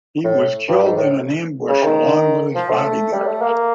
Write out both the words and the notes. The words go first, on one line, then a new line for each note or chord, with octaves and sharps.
He was killed in an ambush along with his bodyguards.
A2
G2
G#2
A2
C#3
D#3
F3
A3
G3
A3
A#3